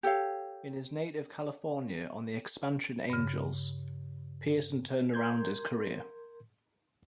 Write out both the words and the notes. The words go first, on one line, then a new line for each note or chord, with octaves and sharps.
In his native California, on the expansion Angels, Pearson turned around his career.
G4 A4 C#5 F5
G2 C#3
A#4 C6 G6 G#6